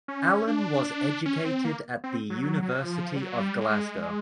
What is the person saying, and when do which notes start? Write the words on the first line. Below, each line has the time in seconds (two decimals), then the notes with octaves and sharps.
Allen was educated at the University of Glasgow.
0.08 C#4
0.47 D4
1.26 C#4
1.45 C4
1.65 A#3
2.04 C4
2.30 F#3
2.43 F#3
2.63 F#3
2.82 F3
3.16 G3
3.21 F#3
3.41 G3
3.61 G#3